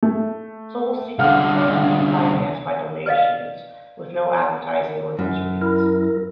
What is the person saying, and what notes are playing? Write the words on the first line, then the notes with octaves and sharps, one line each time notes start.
Soulseek is entirely financed by donations, with no advertising or user fees.
A3
C2 D3 F5 F#5 F6
B4 D5 D#5 F5
F#2
E4 A#4